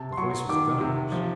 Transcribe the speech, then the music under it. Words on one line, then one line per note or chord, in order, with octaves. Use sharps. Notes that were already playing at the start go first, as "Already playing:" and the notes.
The voice was Gunnar's.
Already playing: C3 A5
C6
F#3 C#6
D#3 D6
C3
F3